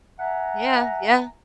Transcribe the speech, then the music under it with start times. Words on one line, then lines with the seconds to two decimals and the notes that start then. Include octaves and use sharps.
Yeah, yeah.
0.19 E5 F#5 G#5 A#5